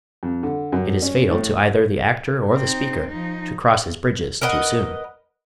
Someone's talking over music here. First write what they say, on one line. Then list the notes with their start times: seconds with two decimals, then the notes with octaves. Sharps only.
It is fatal to either the actor or the speaker to cross his bridges too soon.
0.23 F2
0.43 D3
0.73 F#2
1.02 C#4
1.31 A2
2.54 C4 D#4
3.08 F3 D#4
4.41 A#4 B4 D#5 F#5